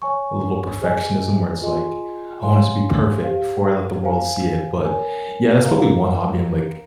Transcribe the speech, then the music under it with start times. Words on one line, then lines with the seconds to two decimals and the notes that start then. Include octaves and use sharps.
a little perfectionism where it's like, I want it to be perfect before I let the world see it, but yeah, that's probably one hobby I'm, like,
0.02 C#5 G#5 C#6
0.81 G#4 C5 D#5 G#5
1.62 F4 G#4 D#5 G#5 C6
2.43 C#5 F5 G#5 C6
3.23 G4 C5 F5
4.04 C5 F5 G#5
4.84 A#4 C#5 G#5
5.65 A#4 F5 A#5